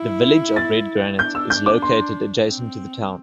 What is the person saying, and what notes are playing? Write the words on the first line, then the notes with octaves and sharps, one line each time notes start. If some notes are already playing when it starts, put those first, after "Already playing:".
The village of Redgranite is located adjacent to the town.
Already playing: E4
A6
D4 G6
E6
G6
D6
C6
C4